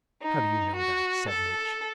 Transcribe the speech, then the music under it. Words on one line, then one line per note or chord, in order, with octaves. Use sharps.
"How do you know that?" said Much.
D#4
F#4
A4